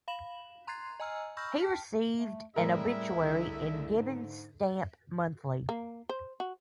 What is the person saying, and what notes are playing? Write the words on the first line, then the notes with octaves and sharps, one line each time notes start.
He received an obituary in "Gibbons Stamp Monthly".
F5 B5 E7 F#7
A#5 C6 F#6 G#6 A6 C7
D#5 G#5 A#5 E6 F6
B5 C#6 E6 F6 G6 A#6
G5 A5 F6 B6
A3
A2 G3 G#3 C4 E4 A#4 E5
C2 D3 A3
G#2
A#3
C5
F#4